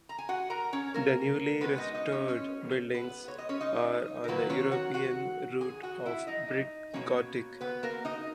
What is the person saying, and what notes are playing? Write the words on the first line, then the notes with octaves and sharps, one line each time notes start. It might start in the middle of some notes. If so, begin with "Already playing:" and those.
The newly restored buildings are on the European Route of Brick Gothic.
Already playing: E3
A#5
G#5
F#4 F#5
A#4 A#5
C#4 C#5
A#3 A#4
B2 G#3 B3 C#4 B4
D#4 D#5
D#4 D#5
C#4 C#5
C#4 C#5
B3 B4
C#5
D#5
C#4 C#5
D#4 D#5
A#4
D#3 F#3 A#3 B3 B4
C#4 C#5
F#4 F#5
F#4 F#5
G#4 G#5
F#4 F#5
E4 E5
D#4 D#5
B2 A#3 C#4 C#5
B3 B4
A#3 A#4
D#4 D#5